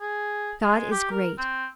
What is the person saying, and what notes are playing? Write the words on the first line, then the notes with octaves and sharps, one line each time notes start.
God is great.
G#4
G#3
G4
A#4
C4